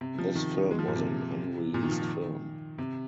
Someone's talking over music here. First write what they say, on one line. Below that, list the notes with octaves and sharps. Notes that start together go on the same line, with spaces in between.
This film was an unreleased film.
C3
F3
D#3
G#3
F3
A#2
C3
A#2
D#3
F3
D#3
C3